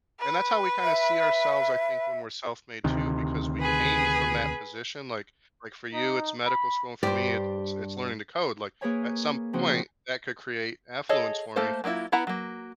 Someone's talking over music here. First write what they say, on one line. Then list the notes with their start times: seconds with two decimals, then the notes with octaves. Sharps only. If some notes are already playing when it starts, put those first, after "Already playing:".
And that's how we kinda see ourselves, I think, when we're self-made too, because we came from that position like like for you it's medical school and for me it's it's, it's learning to code like at some point that could create affluence for me
0.20 B4
0.83 E5
2.84 D2 C3 D#3
3.60 G#4 B4
5.94 D#4
6.46 B5
7.03 G2 G4 C5 D5
8.81 A#3 G#4 A#4 B4 C#5 G#5
9.53 C#3 F3 C4 D#4 F#4 C5
11.09 G#4 A4 C#5 D#5
11.56 A3 A#3 A4 C5
11.84 F#3 A#3 C#4 E4 F4
12.12 B3 E4 B4 F#5 A#5
12.27 F#3 A#3